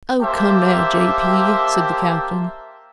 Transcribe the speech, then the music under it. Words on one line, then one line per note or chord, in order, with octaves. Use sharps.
"Oh, come now, J. P.," said the captain.
A#3 G4 C5 E5 A5